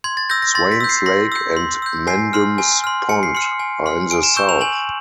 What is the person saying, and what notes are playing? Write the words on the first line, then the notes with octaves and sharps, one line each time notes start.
Swains Lake and Mendum's Pond are in the south.
C6 G#6
A6
E6 G6 A#6
A#6
C6 A6
B6
E6 G6
C7
C6 A#6
E6 G6
C6
E6 G6
G#5 C7
C6 F6
G#5
C6 F6
G#5 C#7
C7
C6 F6 C#7
G#5
C6 F6
G#5 D7
E7
C#6 E6 G6 E7
F7
G#5 F#7